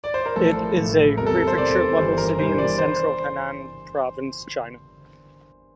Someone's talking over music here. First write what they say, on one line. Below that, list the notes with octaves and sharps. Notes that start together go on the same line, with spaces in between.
It is a prefecture-level city in central Henan province, China.
D5
C5
A#4
A1 A2 F3 A4
A1 A2 F3
E2 C3 G3 A#4
A4
A4
C5
E2 C3 G3 D5
G1 G2 E3 G3 C5
A#4
G1 G2 E3 G3 C5
D5
C5